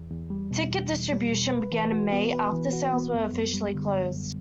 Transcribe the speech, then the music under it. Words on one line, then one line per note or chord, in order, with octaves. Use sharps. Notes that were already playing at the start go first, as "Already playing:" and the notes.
Ticket distribution began in May, after sales were officially closed.
Already playing: E2
E2
G3
B2
E2
E2
G3
B2
B4
E3
F#4
B3
B4
E3
F#4
B3
F#2
F#2
G3
D3
F#2
F#2